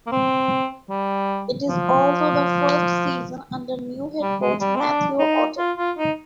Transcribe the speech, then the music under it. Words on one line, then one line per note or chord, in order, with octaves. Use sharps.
It is also the first season under new head coach Matthew Otten.
A#3
C4
G3
F3
G3
G#3
G3
C4
D4
D#4
F4
F4
D#4